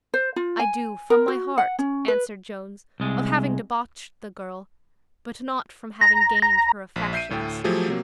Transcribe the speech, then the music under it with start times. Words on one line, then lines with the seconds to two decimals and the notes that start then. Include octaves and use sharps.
"I do, from my heart," answered Jones, "of having debauched the girl, but not from having gained her affections."
0.14 C5
0.36 F4
0.59 G#5
1.10 A#4
1.28 F#4
1.58 F#5
1.79 C#4
2.08 B4
3.00 C2 G#3
6.01 A#5
6.42 A#5
6.96 A#1
7.13 E5 G6 C7 D7 D#7
7.30 D2 A2 A4 G5
7.64 F3 F#3 A3 G4 G#4 C#5
7.88 C3 F#3 A#3